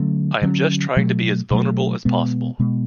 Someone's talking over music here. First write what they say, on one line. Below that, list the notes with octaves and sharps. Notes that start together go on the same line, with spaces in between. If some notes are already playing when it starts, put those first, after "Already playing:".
I am just trying to be as vulnerable as possible.
Already playing: D3 F#3 A3 C#4
D3 F#3 A3 C#4
B2 F#3 A3
B2 F#3 A3
B2 G#3 B3
B2 G#3 B3